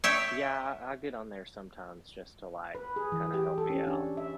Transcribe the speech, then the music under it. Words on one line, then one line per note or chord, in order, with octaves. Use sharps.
Yeah, I I get on there sometimes just to, like, kinda help me out.
C#5 E5 G5
B4
G#4
E3
G4
A4
C#4
D4
E5